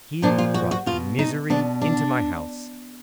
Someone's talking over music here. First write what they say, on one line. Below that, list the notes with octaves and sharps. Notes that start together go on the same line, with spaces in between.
He brought misery into my house.
A#2 F3 D4
F4
F#4
F#4
B2 F4
D#4
B2 D4
D4